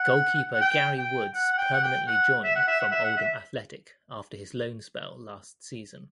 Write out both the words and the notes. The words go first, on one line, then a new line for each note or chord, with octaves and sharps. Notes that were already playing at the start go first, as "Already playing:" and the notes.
Goalkeeper Gary Woods permanently joined from Oldham Athletic after his loan spell last season.
Already playing: F#5
F#5
G5
G5
F#5
F#5
G5
F#5
G5
F#5
E5
F#5
E5
F#5
E5
F#5
E5